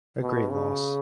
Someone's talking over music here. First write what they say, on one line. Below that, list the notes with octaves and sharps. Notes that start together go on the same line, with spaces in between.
A great loss.
B2
C#3